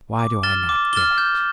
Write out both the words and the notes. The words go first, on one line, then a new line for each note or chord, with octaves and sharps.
Why do I not give it?
D6
F6 A6 E7 G7
D6
F6 A6 E7 G7
G6